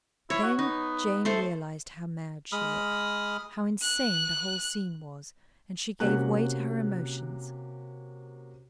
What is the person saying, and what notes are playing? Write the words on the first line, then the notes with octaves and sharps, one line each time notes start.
Then Jane realised how mad she looked, how insane the whole scene was, and she gave way to her emotions.
E4 C#5
F#4
B3 D#4
A3 A4 C5
G#3 B5 D#6 F6
F#6
C3 A#3 C#4 F#4 F#6